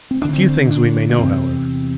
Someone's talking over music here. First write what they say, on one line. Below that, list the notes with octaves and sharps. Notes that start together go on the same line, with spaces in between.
A few things we may know, however.
C4
D2 D3 D4
C4
D4
A#3
E2 C3 C4